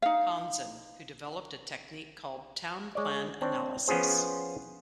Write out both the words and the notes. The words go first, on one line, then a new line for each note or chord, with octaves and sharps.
Conzen, who developed a technique called 'town-plan analysis.
D#4 F5
G#3 C#5 D5
C4 D4 C#5
F3 B3 C#4 F4 G#4 C5